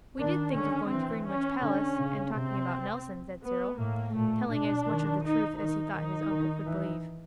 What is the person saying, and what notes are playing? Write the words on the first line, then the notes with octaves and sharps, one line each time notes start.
'We DID think of going to Greenwich Palace and talking about Nelson,' said Cyril, telling as much of the truth as he thought his uncle could believe.
D#3 D4
D3 C#4
E3 C4
C#4
D3 C#4
C#3
C3 C4
B3
A2 A#3
A#2 A3
B2 D4
D#3
D#4
D#3 D#4
D#3
D#3
E3